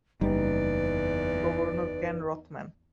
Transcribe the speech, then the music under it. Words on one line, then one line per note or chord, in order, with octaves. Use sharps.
Governor Ken Rothman.
F#1 E2 G3 D#4 B4 D5